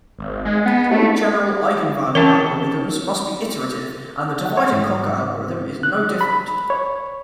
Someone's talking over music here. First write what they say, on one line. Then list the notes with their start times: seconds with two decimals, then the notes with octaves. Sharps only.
All general eigenvalue algorithms must be iterative, and the divide-and-conquer algorithm is no different.
0.19 G#1
0.45 G#3
0.66 B3
0.91 A3
2.15 E3 C#4 A#4 C#5 G5 A5
4.46 F#5
4.57 C#5
4.72 G#2
5.83 F#6
6.21 B5
6.70 C#5